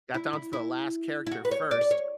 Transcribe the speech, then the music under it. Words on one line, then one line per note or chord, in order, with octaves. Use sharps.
got down to the last character first,
E4
E4
E4
E4
F#4
B4
C#5
D5
D5
C#5